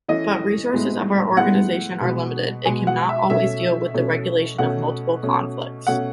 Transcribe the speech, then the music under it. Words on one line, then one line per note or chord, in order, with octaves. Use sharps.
But resources of our Organization are limited, it can not always deal with the regulation of multiple conflicts.
E3 A3 C#4 D#5
A2 G#3 B3
A2 G#3 B3 F#5
B2 G#3 B3
B2 G#3 B3 G#5
F#5
E5
B2 A3 C#4 E5
B2 A3 C#4
B2 A3 C#4 F#5
B2 A3 C#4
B2 A3 C#4 F#5